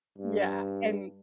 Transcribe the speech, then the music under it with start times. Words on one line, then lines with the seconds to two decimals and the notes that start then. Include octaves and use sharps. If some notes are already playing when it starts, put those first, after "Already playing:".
Yeah, and
0.18 G2